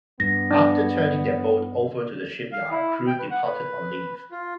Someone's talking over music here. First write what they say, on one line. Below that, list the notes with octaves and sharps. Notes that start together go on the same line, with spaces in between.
After turning their boat over to the shipyard, crew departed on leave.
G2 B3 A#6
D4
F5
E4
G5
B4
F#5
B4
F4